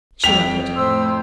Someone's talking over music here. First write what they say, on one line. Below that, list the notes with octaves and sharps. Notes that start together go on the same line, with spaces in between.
She nodded.
F2 G5 B6 F7
A2 C5 E6